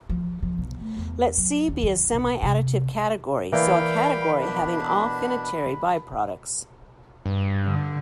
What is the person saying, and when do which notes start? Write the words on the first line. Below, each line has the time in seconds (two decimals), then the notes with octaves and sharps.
Let C be a semiadditive category, so a category having all finitary biproducts.
0.09 F3
0.42 F3
0.58 B1
0.81 A3
0.97 E2
1.38 F#3
1.68 D#2
1.83 D#3
2.12 B1
2.43 C3
3.53 E3 A#3 A#4 D5 F5 G5 B5
4.40 B2 D4
7.26 G2
7.66 D3